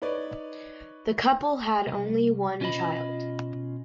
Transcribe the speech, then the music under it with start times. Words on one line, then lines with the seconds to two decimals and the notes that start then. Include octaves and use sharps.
The couple had only one child.
0.02 D#4 B4 C#5 D5
1.88 C2
2.60 B2 C#4 F4 C5 D#5 B5